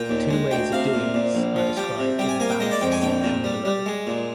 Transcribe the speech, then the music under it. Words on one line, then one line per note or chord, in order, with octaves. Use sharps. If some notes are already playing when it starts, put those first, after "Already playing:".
Two ways of doing this are described in the ballast section below.
Already playing: A#2 G5
D#2
G#3
D2 G5
C3 F5
A#2
A#2
A#1
F3
G3 G5
C3
G3 G5
G#5
A#3 G#5
G5
G#3 D#5
D5
F2 G5
G#5
A#1 G5
A#2
G3
G3
G#3
A#2